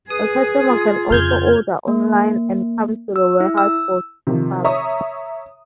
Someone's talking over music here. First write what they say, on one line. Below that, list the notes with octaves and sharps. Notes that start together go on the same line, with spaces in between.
A customer can also order online and come to the warehouse for pickup.
G#4 B4 D#6
F4
F2 C#3 F6 G6 G#6
A#3
E6
E4
E6
C3 D#3 F3
C#5 E5 A#5 C#6 D#6